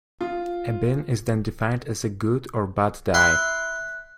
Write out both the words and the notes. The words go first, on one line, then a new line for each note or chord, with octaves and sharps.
A bin is then defined as a good or bad die.
F4
E4 E5 C6 F#6